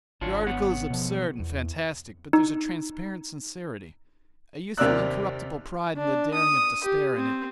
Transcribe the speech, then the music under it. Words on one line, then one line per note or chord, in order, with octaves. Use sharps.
Your article is absurd and fantastic, but there's a transparent sincerity, a youthful incorruptible pride and the daring of despair in it.
G#1 D4 F4 C#5
B3 C#5 F#5
B2 F3
E2
D#4
D#2 C3 A#4 D5 E6 F#6
D4
D#6
G4
C4